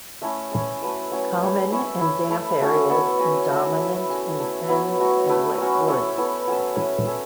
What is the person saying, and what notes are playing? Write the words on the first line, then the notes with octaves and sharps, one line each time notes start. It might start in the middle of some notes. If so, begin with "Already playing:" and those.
Common in damp areas and dominant in fens and wet woods.
A3 C#4 E4
C#4 E4 A4
A3 F#4 B4 E5
F#3 A3 C#4
A3 E4 C#5
C#4 E4 C#5 E5
E4 C#5 E5
A3 E4 A4
A3 C#4 F#4 C#5
B3 A4 C#5 E5
C#4 F#4 B4
A3 F#4 C#5 E5
E4 A4 E5
C#4 F#4 A4
A3 E4 C#5 E5
F#3 B3 E4 C#5
F#3 A3 F#4 C#5
F#3 A3 E4 B4
F#3 C#4 F#4
E4 A4 C#5
B3 E4 A4 C#5
F#3 C#4 A4 E5
C#4 E4 B4 E5
C#4 A4 C#5 E5